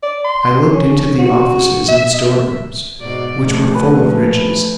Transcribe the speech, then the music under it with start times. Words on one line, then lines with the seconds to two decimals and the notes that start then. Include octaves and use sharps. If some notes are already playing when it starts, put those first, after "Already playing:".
I looked into the offices and store-rooms, which were full of riches.
0.03 D5
0.24 C6
0.72 C#4
1.19 F#4
1.88 E5
2.13 D#5
2.31 E5
3.00 G#2 B2 D5
3.42 F3 A3
3.72 B4 G#5